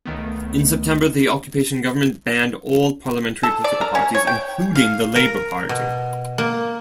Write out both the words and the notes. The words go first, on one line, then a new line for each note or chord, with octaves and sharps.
In September, the occupation government banned all parliamentary political parties, including the Labour party.
C#2 D#3 A3 B3
A4
D5
A#4
C#4
C#5
G5
F5
A#4
B2
A#3